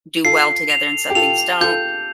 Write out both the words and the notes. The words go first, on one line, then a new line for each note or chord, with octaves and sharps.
do well together and some things don't.
F4 A4 C7
F7
G4
F4 A4 F7
F4 A4 G6